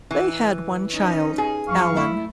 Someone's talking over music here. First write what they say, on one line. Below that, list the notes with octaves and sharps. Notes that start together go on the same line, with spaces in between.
They had one child: Allan.
E3
C#4 D#4
G#4
F#2 F3 F5 C#6
A3 E4